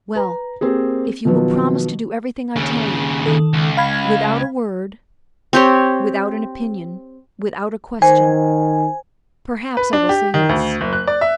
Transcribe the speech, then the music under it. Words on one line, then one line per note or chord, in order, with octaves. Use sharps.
"Well, if you will promise to do everything I tell you, without a word, without an opinion, without a question, perhaps I will say yes."
B4 A#5
A#3 C4 G4 G#4
B2 D#3 F3 F#3 B3
D#2 C#3
D#3 A4
C#2
F5 B5 G#6
C4 G4 C#5
D#3 C5 G#5
B4
D4
G4
D#3
D2
F#1
F#6
D5
E5